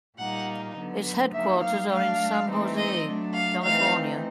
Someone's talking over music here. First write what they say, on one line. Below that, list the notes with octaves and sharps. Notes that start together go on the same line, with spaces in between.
Its headquarters are in San Jose, California.
A#2 G3 A#3 D#4 F#5
D3 F#3 B3
F#3 A#3 D#4 E5
F5
F#3 A3 D4 F5
E3 A3 C4 D#4
D#5
F#3 A3 D4
F5
E3 A3 C4 D#4 F5